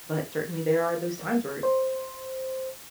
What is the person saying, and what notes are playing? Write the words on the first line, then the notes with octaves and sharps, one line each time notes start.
but certainly there are those times where
C5